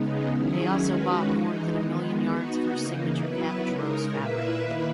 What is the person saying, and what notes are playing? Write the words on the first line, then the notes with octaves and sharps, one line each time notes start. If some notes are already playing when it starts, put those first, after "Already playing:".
They also bought more than a million yards of her signature cabbage rose fabric.
Already playing: C#3 G#3 B3 D#4
D#3 F#3 C#4 E4 G#4
D#3 G#3 C#4 F#4 B4
E3 G#3 D#4
D#3 G#3 B3
B3 D#4 F#4
C#3 E3 A#3 D#4
F#3 B3 E4 B4
C#3 G#3 D#4 A#4
A#2 A#3 E4 B4 E5
D#3 A#3 E4 B4